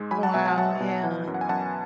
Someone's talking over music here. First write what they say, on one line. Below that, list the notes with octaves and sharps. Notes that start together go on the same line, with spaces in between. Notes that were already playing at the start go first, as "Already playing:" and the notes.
Wow, yeah.
Already playing: G#2 G#3
F#3 G#5 B5
F#5 A5
B2 E5 G#5
F#5 A5
F#3 F#5 A5
B2
E3
F#2
F#5
G#5
F#2 F#5 A5